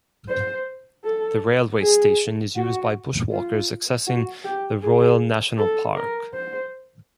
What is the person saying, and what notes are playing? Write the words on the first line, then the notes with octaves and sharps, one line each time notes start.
The railway station is used by bushwalkers accessing the Royal National Park.
C5
A4
G#4
F#4
F4
F#4
G4
G#4
A4
A#4
C5